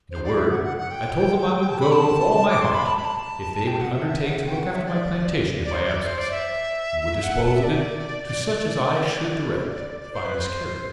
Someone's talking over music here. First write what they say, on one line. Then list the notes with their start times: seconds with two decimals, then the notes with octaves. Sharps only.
In a word, I told them I would go with all my heart, if they would undertake to look after my plantation in my absence, and would dispose of it to such as I should direct, if I miscarried.
0.11 C5
0.24 D5
0.38 E5
0.51 F#5
0.63 F#5
0.77 F#5
0.91 G5
1.69 A5
1.80 B5
1.92 A5
2.49 D6
2.62 C6
2.74 B5
2.88 A5
2.97 B5
3.05 A5
3.67 G5
3.81 F#5
3.94 E5
4.07 E5
4.26 F#5
4.41 F#5
4.46 G5
4.59 F#5
4.73 E5
4.85 D5
5.65 D5
5.73 C5
5.83 D5
6.04 C5
6.18 D5
6.31 E5
7.23 F#5
7.43 A5
7.55 E5
7.63 D5
9.21 D5
10.01 D5
10.13 C5
10.25 B4
10.38 C5